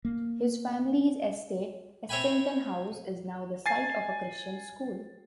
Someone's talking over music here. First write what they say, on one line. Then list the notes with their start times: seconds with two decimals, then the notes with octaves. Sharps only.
His family's estate "Essington House" is now the site of a Christian school.
0.05 A#3
2.09 C4 C#5 E5 G5 G#5 B5
3.66 G#5 A6 C7